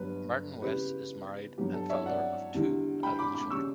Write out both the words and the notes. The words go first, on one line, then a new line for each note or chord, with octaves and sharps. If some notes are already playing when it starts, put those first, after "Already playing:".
Martin Weiss is married and father of two adult children.
Already playing: G1 G2 F#3 B4
E2 C#3 G3 G4 B4
G2 F#3 B3 G4
A4
C#5 E5
D5 F#5
E2 D3 G3
G5 B5
B5 D6
B5 D6
C#3 G3 C#4 C#6 E6